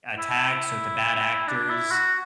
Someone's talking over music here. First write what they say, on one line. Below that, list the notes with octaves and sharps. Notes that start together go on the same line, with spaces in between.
attacks or to bad actors.
E4
D4
E4
F#4